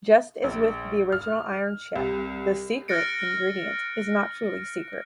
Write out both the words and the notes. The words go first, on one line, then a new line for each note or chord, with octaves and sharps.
Just as with the original "Iron Chef", the "secret" ingredient is not truly secret.
A#1
F6
C2
F6 F#6 A6 A#6 C#7 D7